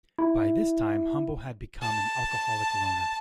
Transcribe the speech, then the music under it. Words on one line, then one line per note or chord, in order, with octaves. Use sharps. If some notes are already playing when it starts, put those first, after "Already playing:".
By this time Humble had become an alcoholic loner.
E4
A5